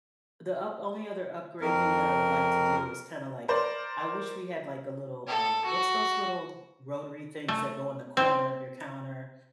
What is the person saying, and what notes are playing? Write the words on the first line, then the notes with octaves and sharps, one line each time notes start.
the up only other upgrade thing that I would like to do is kinda like, I wish we had like a little, um, what's those little rotary things that go in the corner of your counter?
F2 A#4
A#4 C5 D5
A4
F#4
A3
C4